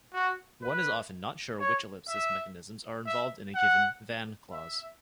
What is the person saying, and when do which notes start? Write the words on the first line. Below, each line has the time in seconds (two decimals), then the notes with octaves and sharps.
One is often not sure which ellipsis mechanisms are involved in a given "than"-clause.
0.14 F#4
0.62 B4
1.60 C#5
2.08 E5
3.07 E5
3.55 F#5
4.52 E5